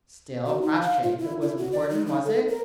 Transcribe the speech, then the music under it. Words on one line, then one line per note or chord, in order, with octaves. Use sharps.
"Still, Crossjay, if it was important--was it?"
F#4
D#4
F5
F4
E4
E4
F#4
D5
D#4
D#4
A4
A#4